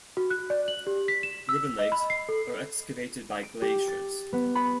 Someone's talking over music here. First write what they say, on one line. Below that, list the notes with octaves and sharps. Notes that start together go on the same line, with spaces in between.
Ribbon lakes are excavated by glaciers.
F#4
F#6
D5
F#7
G4
B6
E7
E6
D#5
B5
C7
A4
D7
G4
A6
B3
B5